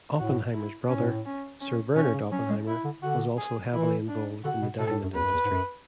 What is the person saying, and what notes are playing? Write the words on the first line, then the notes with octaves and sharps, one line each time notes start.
Oppenheimer's brother, Sir Bernard Oppenheimer, was also heavily involved in the diamond industry.
A2 F#4
E4
A2 C#4
C#4
C#4
B2 C#4
C#3
F#3 C#4
G#3
E4
D3
D3 F#4
G#4
E3 E4
D4
D3 F#4
B2
B2 A4
A2
F#2
E2 B4
F#2
E2
G#2
F#2